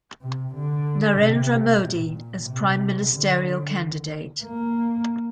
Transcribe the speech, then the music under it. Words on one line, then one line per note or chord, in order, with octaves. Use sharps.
Narendra Modi as Prime Ministerial Candidate.
C3
D3
C3
A#2
C3
D3
A#3